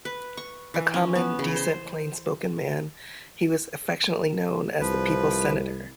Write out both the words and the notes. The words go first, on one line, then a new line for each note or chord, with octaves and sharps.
A common, decent, plain spoken man," he was affectionately known as "the people's Senator.
B4
C#6
E3
C#4
B3
C#3
C5
C2 F3 B4